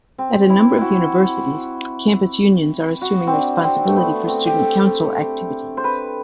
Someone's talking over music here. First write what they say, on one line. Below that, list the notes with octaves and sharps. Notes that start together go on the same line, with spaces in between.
At a number of universities, campus unions are assuming responsibility for student council activities.
C4
E4
E4 F#4
F#4
C4
D4
C4
A3
B3
C4
G4
A4
C5
B4